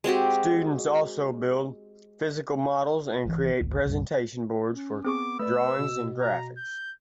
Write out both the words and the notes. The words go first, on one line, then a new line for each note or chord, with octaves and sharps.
Students also build physical models and create presentation boards for drawings and graphics.
G#3 C4 F#4 G4
G#1 G#2 C3 E3
G#1 D2
C2 G2
C#4
B3 C4 G#4 C#6 D6
A3 B4 D5 E6
B2
A#5
G6